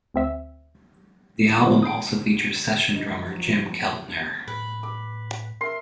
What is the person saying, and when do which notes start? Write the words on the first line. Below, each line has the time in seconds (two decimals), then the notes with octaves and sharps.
The album also features session drummer Jim Keltner.
0.14 D2 C4 E5 E6
1.66 D3 F3 G#3 B3
1.83 D#6 G6 C7 D7
2.96 F3 D#4
3.27 F2 F#3
4.48 A2 B4
4.83 D6
5.61 A#4 E5 C6